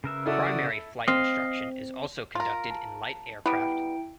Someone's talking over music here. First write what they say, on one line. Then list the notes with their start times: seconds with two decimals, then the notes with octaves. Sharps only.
Primary flight instruction is also conducted in light aircraft.
0.04 C#3 A#4 B4 E5
0.26 E4 F#4 A4 D5 D#6
1.08 C4 D#5 F5
2.35 F4 A#4
2.71 A5
3.46 G3 B3 E4 G5 D7